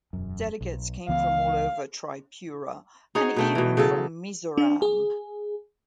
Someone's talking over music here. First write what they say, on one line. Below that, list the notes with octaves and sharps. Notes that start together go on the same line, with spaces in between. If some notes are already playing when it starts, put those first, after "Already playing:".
Delegates came from all over Tripura and even from Mizoram.
E1 F#2
B1
C#2 E3 B3 F5
D#4 F#4 G#4 C#5
B2 A3 G5
B2 E3
C#3 F#3 A4
D4
G#4